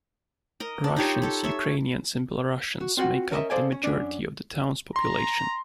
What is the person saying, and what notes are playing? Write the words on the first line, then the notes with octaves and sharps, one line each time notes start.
Russians, Ukrainians, and Belarusians make up the majority of the town's population.
A#4 D#5
D4
D#4 F4 G4 C#5
D#4 A4 C#5
C#5 E5
F#4
C4 F4 F#4 F#5
C#4 A#4 B4 D#5 E5
G#4 A4 C5 D5 F5 G#5
C#4
F#2 C#4 D4
A#5 C6